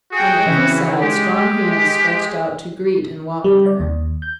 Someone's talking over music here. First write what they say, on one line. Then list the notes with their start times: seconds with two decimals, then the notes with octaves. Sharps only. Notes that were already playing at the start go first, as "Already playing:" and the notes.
On every side strong hands stretched out to greet and welcome her.
0.12 F#4 G#4 G5
0.46 C#3 E3
1.02 G#3 G4
3.44 G3
3.66 D5
3.80 D#2
4.22 G6